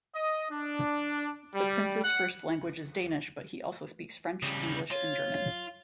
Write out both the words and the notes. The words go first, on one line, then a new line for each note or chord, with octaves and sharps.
The Prince's first language is Danish, but he also speaks French, English and German.
D#5
D4
G3
F#5
C#3 G3
F4 C#5